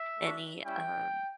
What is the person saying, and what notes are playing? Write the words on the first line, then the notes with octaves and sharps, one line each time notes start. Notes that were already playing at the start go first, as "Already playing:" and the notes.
any, um,
Already playing: E5
A3 D4 F#4
G3 C#4 E4 G5